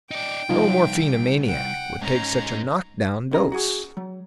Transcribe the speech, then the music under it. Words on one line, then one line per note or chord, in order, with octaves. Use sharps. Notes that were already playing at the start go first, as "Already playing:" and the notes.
No morphinomaniac would take such a knock-down dose.
D#4 D5 G5
C2 F3 D#4 F4
F#5 G5
G#2 C#4 D#4 A#5
B1 C#4 G#4 A#5
F#4 G#4
F#3